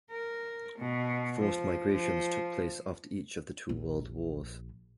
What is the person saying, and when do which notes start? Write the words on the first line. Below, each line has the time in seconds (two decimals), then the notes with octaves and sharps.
Forced migrations took place after each of the two world wars.
0.11 A#4
0.79 B2
1.39 F3
1.92 F3
3.69 A#1